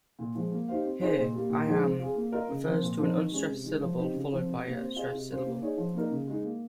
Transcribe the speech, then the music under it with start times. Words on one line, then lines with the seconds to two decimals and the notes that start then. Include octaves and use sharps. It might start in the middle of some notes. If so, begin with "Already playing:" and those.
Here, "iamb" refers to an unstressed syllable followed by a stressed syllable.
0.19 A#2
0.35 F3 G#3
0.52 A#3
0.68 D#4 G4 C5 F5
0.84 C4
1.01 D#4 G#4 C5 D#5
1.17 A#2
1.34 G3 A#3
1.50 A#2
1.66 F3 G#3 D#4 G#4
1.84 C4
1.99 F4 G#4
2.16 A#3
2.32 F4 A#4 D#5
2.48 C#3
2.65 F3 C4
2.82 A#2
2.99 F3 C4 D#4 A#4
3.15 D#3
3.31 G#3 C#4
3.48 C3
3.64 D#3 G#3
3.81 F3
3.97 C4 D#4 G4
4.13 C#3
4.30 F3 C4
4.46 C3
4.63 G3 A#3
4.80 C4
4.96 F4 G#4 D#5
5.12 C3
5.29 G3 C#4 F4 C5
5.45 A#3
5.62 D#4 G#4 C#5
5.77 F3
5.94 A#3 D#4 A#4
6.10 C#3
6.27 G#3 D#4
6.44 A#3